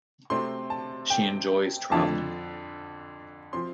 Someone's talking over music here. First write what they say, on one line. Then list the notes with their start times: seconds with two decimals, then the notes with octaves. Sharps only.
She enjoys travelling.
0.30 C3 A3 C4 C6
0.70 A5
1.10 G5
1.92 F2 D3 F3 A5
3.53 F3 C4 C6